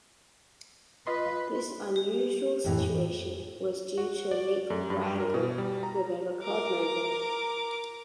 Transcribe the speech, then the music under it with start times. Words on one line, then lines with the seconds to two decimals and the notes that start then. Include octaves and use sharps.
This unusual situation was due to a legal wrangle with their record label.
1.07 F4 B4 D#5 C6
1.96 G4
2.64 F2 A2 E3
3.98 F#4
4.31 D5
4.70 F#2
4.90 G2
5.20 A#4
5.34 B2
5.58 G3
5.83 A#5
6.43 A#4 D6